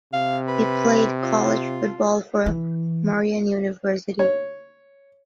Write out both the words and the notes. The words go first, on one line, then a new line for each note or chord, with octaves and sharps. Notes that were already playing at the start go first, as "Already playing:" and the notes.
He played college football for Marian University.
C3 F5
B4
F4
E3
C#5